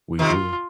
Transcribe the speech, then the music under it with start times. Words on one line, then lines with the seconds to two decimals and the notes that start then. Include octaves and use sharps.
We do.
0.19 C3 D#3 F4